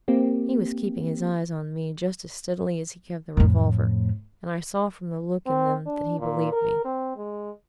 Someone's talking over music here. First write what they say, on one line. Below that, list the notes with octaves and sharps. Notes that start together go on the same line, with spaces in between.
He was keeping his eyes on me just as steadily as he kept the revolver, and I saw from the look in them that he believed me.
A#3 C4 G4
F2 A2
C4
D4
A#2
A#4
C4
G#3